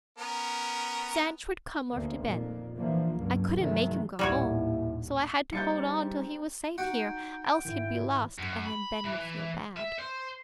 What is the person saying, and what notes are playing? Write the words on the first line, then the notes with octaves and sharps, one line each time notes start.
"Sanch would come after Ben; I couldn't make him go home, so I had to hold on till he was safe here, else he'd be lost, and then Ben would feel bad."
B3 C#4 A#4
D2 A#3
F2 A#2 D#3 A#3
D3 E3 F3 A#3
C#2 G2 F#3
G2 C3 D#3 F#3 G#3 A3
A#1 D#2 A2 G3 E4 F#4 C#5
G3 G#3 C4 D#4 G6 A6 C#7
D#4 F#4 G5
G#2 D#3 E4
F#2
B5
E3
E5
C5